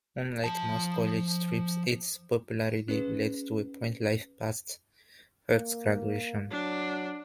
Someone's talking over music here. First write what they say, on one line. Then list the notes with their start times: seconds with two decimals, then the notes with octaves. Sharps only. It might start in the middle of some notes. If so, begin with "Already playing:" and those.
Unlike most college strips, its popularity led to a print life past Hurt's graduation.
0.44 F3 A5
2.88 C#4 G#4 B4
5.52 A#3
6.51 F#3 D4